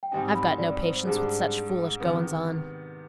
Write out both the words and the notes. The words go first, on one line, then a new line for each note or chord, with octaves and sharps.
"I've got no patience with such foolish goin's-on."
G5
G#2 G3 C4 D#4 G#5
B5
D5
C5
G#2 G3 D4 G#4
C3 D#3 B3